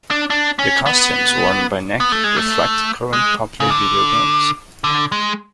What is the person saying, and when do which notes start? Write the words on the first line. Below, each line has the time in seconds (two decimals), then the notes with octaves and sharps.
The costumes worn by Necky reflect current popular video games.
0.11 D4
0.30 D4
0.59 C#4
0.86 B3
2.00 B3
2.12 A3
2.24 G#3
2.36 A3
3.13 G#3
3.60 C#3
3.70 D3
4.84 D3
5.12 G#3